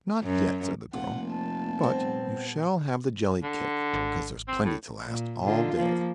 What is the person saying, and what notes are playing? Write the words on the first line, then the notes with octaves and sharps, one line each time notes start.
"Not yet," said the girl, "but you shall have the jelly-cake, 'cause there's plenty to last all day."
F#2
F1 F3 A#3 F4 F#5
A5
A#2 G3 B3 C4
D3
G#1
C4
A2
A#2
D3 D#4 F4
F3 A#3